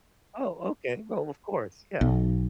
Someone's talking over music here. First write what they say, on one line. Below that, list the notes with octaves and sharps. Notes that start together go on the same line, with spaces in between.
Oh, okay. Well, of course, yeah.
B1